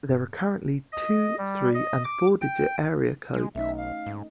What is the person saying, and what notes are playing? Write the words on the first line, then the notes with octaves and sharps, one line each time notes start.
There are currently two-, three-, and four-digit area codes.
D#5
G3
D#5
D6
G5
G#3
B1 A3 C#4 D#4 E5
F5
G#2